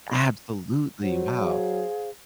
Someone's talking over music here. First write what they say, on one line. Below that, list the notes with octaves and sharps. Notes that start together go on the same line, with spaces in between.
Absolutely, wow.
F#3 F#4 C5 F#5
G#4 C5 F5